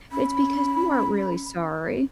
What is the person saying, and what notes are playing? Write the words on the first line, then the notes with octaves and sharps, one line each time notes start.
it's because you aren't really sorry
C#4 B5